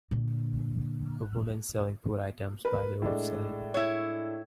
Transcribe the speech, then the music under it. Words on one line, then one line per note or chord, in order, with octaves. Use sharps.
A woman selling food items by the roadside.
A#2 D3
A#4 B4
A2 G#3 D4
E4 C#5